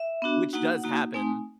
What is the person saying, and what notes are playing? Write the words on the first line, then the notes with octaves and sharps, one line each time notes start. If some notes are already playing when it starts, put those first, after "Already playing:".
which does happen,
Already playing: E5
B3 D4 F#4
A#3 D#4 F#4 F#5
A#3 D#4 F#4
A3 C4 D#4 G#5